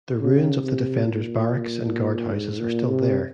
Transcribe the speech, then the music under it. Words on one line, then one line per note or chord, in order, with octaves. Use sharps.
The ruins of the defenders' barracks and guardhouses are still there.
C#3
C3
A#2
G#2
A#2
C3